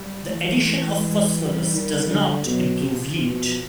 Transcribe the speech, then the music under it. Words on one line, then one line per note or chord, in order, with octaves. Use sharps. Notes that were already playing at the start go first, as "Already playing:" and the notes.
The addition of phosphorus does not improve yield.
Already playing: G3
E3 A3
A3
G#3
G3
D#3
D3
B2 F#3
C3 F3
B2 F3